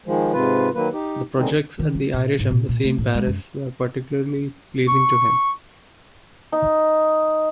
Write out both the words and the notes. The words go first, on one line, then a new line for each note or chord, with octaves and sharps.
The projects at the Irish Embassy in Paris were particularly pleasing to him.
D#3 F3 G#3
G#2 C3 F4 B4
D#3 F#3 A#3 B4
D#4 G4
D3 D#3 G#3 C4 D#4
D#3
F#3
A#2
G#2
A#2
A#2
A3
A2
G#3
F#2
C#6
D#4